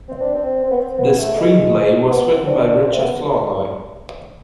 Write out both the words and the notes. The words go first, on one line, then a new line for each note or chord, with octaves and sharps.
The screenplay was written by Richard Flournoy.
C4
D4
C4
C4
B3
C4
B3
A3
G#3
B3
C4
D4
C4
A3
B3